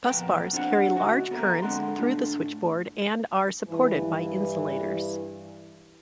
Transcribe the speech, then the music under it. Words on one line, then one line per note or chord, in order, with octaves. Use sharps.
Busbars carry large currents through the switchboard, and are supported by insulators.
F2 A#2 D#3 B3 A#4 G5
C4 D4 F4 C5 F5 F#5
D2 C#4 F#4 D#5 E5
B3 A4 A#4 C5 E5 A#5
D3 G#3 C4 F#5 C6
A2 D4 F4
G2 E3